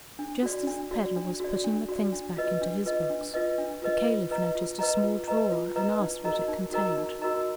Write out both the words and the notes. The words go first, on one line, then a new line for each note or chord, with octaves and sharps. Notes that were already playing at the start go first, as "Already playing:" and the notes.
Just as the peddler was putting the things back into his box, the Caliph noticed a small drawer and asked what it contained.
D4
F#4 D5
D4
F#4 D5
D4
F#4 D5
D4
F#4 D5
D4
F4 B4 D#5
D4
F4 B4 D#5
D4
F4 B4 D#5
D4
F4 B4 D#5
F4
B4 D#5 A#5
F4
B4 D#5 A#5
F4
B4 D#5 A#5
F4
B4 D#5 A#5
D#4
F#4 A#4 D#5 A#5
D#4
F#4 A#4 D#5 A#5
D#4
F#4 A#4 D#5 A#5